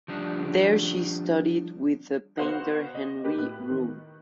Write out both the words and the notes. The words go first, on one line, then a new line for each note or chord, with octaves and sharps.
There she studied with the painter Henri Rul.
F3 G3 D4
B3 F#4 C5 F5 F#5
D#5
A#3 G4 B4
A2 B3 F#6
D#3